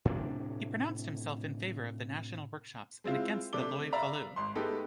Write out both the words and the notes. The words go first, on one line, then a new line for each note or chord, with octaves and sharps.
He pronounced himself in favour of the national workshops and against the loi Falloux.
A2 C3 D4
G#3 C4 E4 F4
C3 A3 D4 D6 G7
D5 E5 F5 A#5 B5
G#1 C6
G#3 A3 B3 D#4 G4 A4